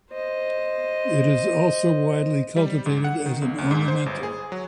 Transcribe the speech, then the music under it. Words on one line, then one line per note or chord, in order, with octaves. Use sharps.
It is also widely cultivated as an ornamental.
C5 D#5
G3
G#2
F#5
D#3
B1
D2
G#2
C5
G1
G#4
F#3